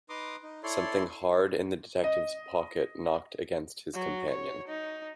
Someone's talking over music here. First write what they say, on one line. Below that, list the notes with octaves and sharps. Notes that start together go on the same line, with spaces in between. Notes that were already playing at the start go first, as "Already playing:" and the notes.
Something hard in the detective's pocket knocked against his companion.
D#4 B4 A#5 C6 D6 D#6
D#4
E4 A4 C#5 D5 C6
D#5
F#3
C#5
D#4